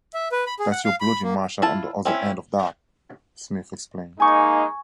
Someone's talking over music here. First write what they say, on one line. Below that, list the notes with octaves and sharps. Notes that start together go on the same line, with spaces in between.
"That's your bloody marshal on the other end of that," Smith explained.
E5
B4
B5
G#4
F#5
F5
B5
A#3
E4 F4 A5
C4 C#4 E4
G#3 A#3 D#4 G#5 C#6